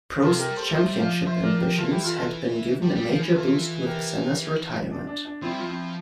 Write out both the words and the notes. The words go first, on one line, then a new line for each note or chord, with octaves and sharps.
Prost's championship ambitions had been given a major boost with Senna's retirement.
C3 F4 A4
G4 A#4
G3
A4 C5
F3 C5 E5
G3
E5
F3 D5 F5
F3 C5 E5
A#4 D5
G4 A#4
E3 F4 A4
E4 G4
F4 A4
F4 A4
G3
G3
F3
E3
E3 F4 A4
G4 A#4
D4
D4
D4
F3 C4 E4
G3
F3 F4
C4 E4